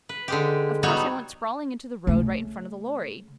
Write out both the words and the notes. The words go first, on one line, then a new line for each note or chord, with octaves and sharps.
Of course I went sprawling into the road right in front of the lorry.
B4
D3 G#3 G4
F#3 G3 B3 D#4 F#4 C#5
C#3 A3